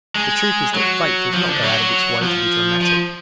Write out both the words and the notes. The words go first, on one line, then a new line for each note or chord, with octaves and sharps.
The truth is that Fate does not go out of its way to be dramatic.
G#3
F#3
F3
D3
F#3
F3
F3